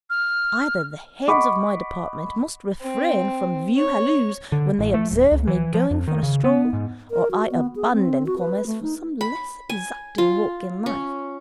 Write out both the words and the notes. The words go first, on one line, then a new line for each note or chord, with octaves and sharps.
Either the heads of my department must refrain from View Halloos when they observe me going for a stroll, or I abandon Commerce for some less exacting walk in life.'
F6
D#5 F#5 B5 C#6 D6
C4
C#5
D3
A1
A3
D1
C#2
E3
F3
F2
D#3
C#3
B3
G#2
A#4
F#4
B3
G#4
C4
F#4
B4
A3
D#4
B5
G#5
F4
C#4